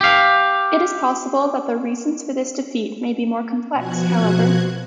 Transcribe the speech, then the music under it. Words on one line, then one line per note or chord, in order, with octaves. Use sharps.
It is possible that the reasons for this defeat may be more complex, however.
G4 F5
B2 F3 F#4 F#6 G#6